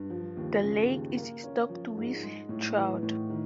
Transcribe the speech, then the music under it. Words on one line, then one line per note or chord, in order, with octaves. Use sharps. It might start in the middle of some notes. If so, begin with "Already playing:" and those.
The lake is stocked with trout.
Already playing: G2
F3
D#2
C#3
D#2
A#3
C#4
F3
G#2
G#3
A2
E3
A2
D#3